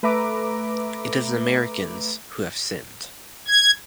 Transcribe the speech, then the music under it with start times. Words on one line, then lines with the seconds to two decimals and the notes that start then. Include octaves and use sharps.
It is the Americans who have sinned.
0.03 A3 B4 E5 A#5 D6
3.48 G#6